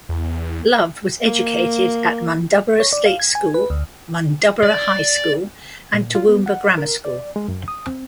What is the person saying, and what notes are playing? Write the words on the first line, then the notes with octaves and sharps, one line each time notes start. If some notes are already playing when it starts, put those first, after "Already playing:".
Love was educated at Mundubbera State School, Mundubbera High School and Toowoomba Grammar School.
E2
A#3
C#5
D5
F5
G#6
G#5
B4
D2
D5
A#2
F4
B3
F#5
A#4
D5
G#3
F#2
D#6
C4